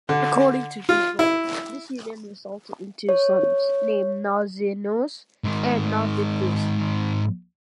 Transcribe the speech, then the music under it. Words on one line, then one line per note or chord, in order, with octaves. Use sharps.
According to Hesiod, this union resulted in two sons, named Nausinous and Nausithous.
D3
F4
E4
C#5
G#2 D#3